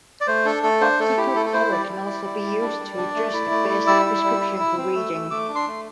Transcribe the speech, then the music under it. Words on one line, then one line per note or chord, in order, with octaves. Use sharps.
Optical power can also be used to adjust a basic prescription for reading.
D5
A3 C5
D4 A4
A3 A4
D4 C5
A3 A4
E4 G4
A3 A4
A4
E4 C5
G3 D5
E4
G3
E4
G3
D4
G3
D4
A3
E4
A3
E4
G3 E6
E4
G3
E4
E4
C4
A3
A3
A3 D6
D4
C6
A3